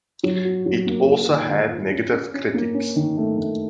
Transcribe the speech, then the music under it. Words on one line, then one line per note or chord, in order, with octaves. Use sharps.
It also had negative critics.
F#3
F#4
F#3
A#3
F4
D#3
D#3
F4
C#4
C#4
C#4
A#3
C#4
D#3
A3
A3